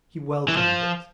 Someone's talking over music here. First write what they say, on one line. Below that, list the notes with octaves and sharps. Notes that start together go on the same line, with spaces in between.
He welcomed it.
E3
F3